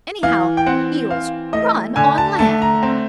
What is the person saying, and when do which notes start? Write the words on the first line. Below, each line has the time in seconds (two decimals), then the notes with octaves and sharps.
"Anyhow, Eels run on land."
0.23 E3 F5
0.57 G5
0.66 C4 F#5
1.10 E3 F5
1.53 A3 D#5
1.96 D3 G#5
2.18 A5
2.39 A3 A5
2.62 A#5
2.83 C4